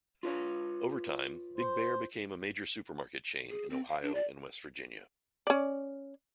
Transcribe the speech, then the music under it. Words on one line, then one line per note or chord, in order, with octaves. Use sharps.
Over time, Big Bear became a major supermarket chain in Ohio and West Virginia.
F4 B4 C#5
C5
G#4
C4
F5
D4
D5
C#4 D5